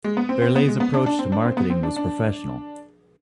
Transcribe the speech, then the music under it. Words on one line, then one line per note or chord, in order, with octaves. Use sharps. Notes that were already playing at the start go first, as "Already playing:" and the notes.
Berlei's approach to marketing was professional.
G#3
B3
C4
C4
B3
G#3
B3
D4
D4
C4
D4
C4
B3
C4
D4
D4